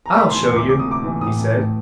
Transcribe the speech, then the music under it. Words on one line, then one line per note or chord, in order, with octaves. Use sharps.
"I'll show you," he said.
A#5
A3 B5
C6
E3
D2 D6
C3 D6
D#6
A3 D6
E3
A2 D#6
A3
A2